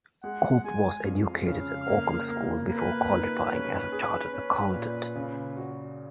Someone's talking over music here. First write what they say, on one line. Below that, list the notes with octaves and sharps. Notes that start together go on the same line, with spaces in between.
Cope was educated at Oakham School before qualifying as a Chartered Accountant.
G#3 F#5
G#3 G#5
F2 F5
C#3
A#3
A#3
A#3 B4
D#4
C#4
G#4
C#4
A#2
C#3
F#4